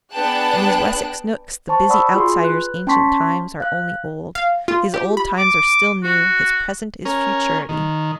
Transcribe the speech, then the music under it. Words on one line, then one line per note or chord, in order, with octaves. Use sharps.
In these Wessex nooks the busy outsider's ancient times are only old; his old times are still new; his present is futurity.
B3 D4 G#4 G5 A5 F#6
C5 A5 C#6
D5 F#5 B5 C#6 D#6 E6
F4 F#4 G#4 C6
B4 F#6
C#4 G5 A5 C6 C#6 B6
F5 F#6
F5
F4
G4
B5
D6
F#4
C#4 A#4
D#3